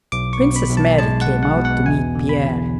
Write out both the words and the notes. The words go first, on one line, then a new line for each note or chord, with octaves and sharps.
Princess Mary came out to meet Pierre.
B1 D6
C#6
B2
B5
B1
A5
G#3 A5
F#5
B1
F#5
B2
F#5
E2 G#5
D3
B5
E2